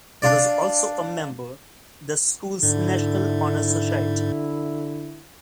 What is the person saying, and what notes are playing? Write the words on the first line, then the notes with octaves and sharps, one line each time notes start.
He was also a member the school's National Honor Society.
D4 F4 D5
G#2 D3 E4